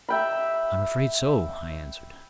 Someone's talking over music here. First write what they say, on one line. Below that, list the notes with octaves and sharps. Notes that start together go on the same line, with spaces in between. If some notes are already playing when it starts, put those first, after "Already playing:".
"I'm afraid so," I answered.
E5 G5 B5